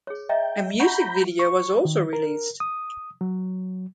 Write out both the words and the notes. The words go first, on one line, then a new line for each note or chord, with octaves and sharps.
A music video was also released.
G#4 C#5
D#5 E5 G5 A#5
F#5 A#5 B5 C#6 G6
C#6
D#3
A#4
D#6
F#3